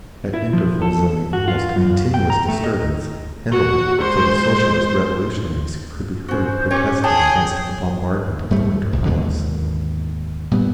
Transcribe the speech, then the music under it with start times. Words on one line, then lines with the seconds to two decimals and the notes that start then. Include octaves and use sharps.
At intervals in the almost continuous disturbance Hendelman, for the Socialist Revolutionaries, could be heard protesting against the bombardment of the Winter Palace....
0.34 E4
0.53 F3
0.82 A4
1.33 F#4
1.48 F4
1.76 F#2
2.14 G5
2.30 A#5
2.48 A3
2.64 D#5
3.52 F#4
3.99 G#3 C5
6.28 C#4 F#4 C5
6.71 C#4 G4 C#5
7.04 G#4 C#5 G5 A5
8.50 G#2 G3 A3
8.93 C2
9.05 D#2 G#2 B2 D3
10.51 A#2 G3 B3